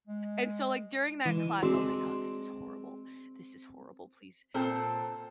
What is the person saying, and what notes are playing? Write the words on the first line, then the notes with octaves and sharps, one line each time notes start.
and so, like, during that class, I was, like, "Oh, this is horrible, this is horrible, please,
G#3
E3 G#3
G#3 C4 D4 F#4
A#2 C4 A4